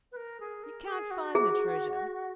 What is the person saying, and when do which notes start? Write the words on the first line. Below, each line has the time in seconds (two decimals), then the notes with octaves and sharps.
You can't find the treasure.
0.12 B4
0.16 A#4
0.40 G#4
0.63 A#4
0.87 G#4
1.11 F#4
1.35 G#4